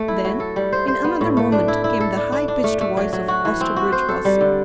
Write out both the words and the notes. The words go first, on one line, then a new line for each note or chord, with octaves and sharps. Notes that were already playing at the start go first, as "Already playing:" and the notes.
Then, in another moment, came the high-pitched voice of Osterbridge Hawsey.
Already playing: A3
E4
F#3
A4
G3
C5
C5
B3
A2
A3
D4
E4
E4
A4
D4
D4
D4
A3
A3
F#3
F#3
F#4
E3
C4
F#4
C5
A4
G3
D3